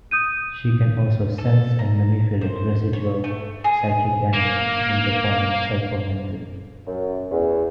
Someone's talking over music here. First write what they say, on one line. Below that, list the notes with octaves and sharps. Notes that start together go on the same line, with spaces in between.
She can also sense and manipulate residual psychic energy in the form of psychometry.
D#6 G6 D#7
A4
A#5
C5
C#5
A3
G#4
A#3
F#2
E2